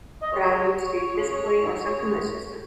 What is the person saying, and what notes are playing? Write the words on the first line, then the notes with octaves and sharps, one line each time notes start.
that I need to do physically or something that's just,
D#5
F#2 C#3 G#3 C#5
F#2 C#3 G#3
F#2 C#3 G#3